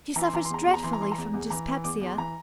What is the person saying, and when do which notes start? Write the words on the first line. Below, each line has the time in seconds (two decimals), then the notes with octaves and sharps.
She suffers dreadfully from dyspepsia.
0.16 E3 A#5
0.26 C6
0.33 E3 A#5
0.45 C6
0.50 E2 A#5
0.63 E2 C6
0.74 A#5
0.83 E3 C6
0.93 A#5
1.01 E3 C6
1.12 A#5
1.18 E2
1.33 E2
1.50 E3 A#5
1.68 E3
1.84 E2 D6
2.01 E2
2.06 C6
2.18 E3 A#5